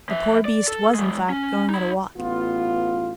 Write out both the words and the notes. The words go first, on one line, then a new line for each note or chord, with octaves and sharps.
The poor beast was, in fact, going at a walk.
F3 E5
D5
A4
E3 G#3
C#4
D#4 B5
A1 B3 F4